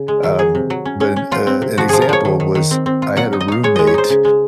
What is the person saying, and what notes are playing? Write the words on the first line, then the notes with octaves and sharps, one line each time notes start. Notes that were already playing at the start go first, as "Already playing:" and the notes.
um but, uh, an example was I had a roommate
Already playing: C#3
G#3
D#3
F#3 G#4
C3
F#3
C#4
C#4
C#4
F#3 F4
C4
C3
F3 F#4
F3 G#4
A#4
F3 C#5
D#3
D#3
D#3
C4
C4
F4
F#3 F#5
D#4
D#5
D#4 F5
G#3 C#5
G#3 D#5
C#5
D#4 C5
C#3
G#3